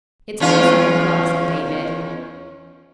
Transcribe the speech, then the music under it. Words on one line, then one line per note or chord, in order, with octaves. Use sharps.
"It's only seven o'clock," said David.
E2 C#4 F4